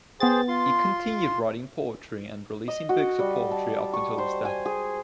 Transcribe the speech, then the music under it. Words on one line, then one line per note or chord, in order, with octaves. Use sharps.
He continued writing poetry and releasing books of poetry up until his death.
B3 G#4 C5 G5 A6
F4 C6
D#5
F#4
G3
A5
C#6
C5
G#5
G#4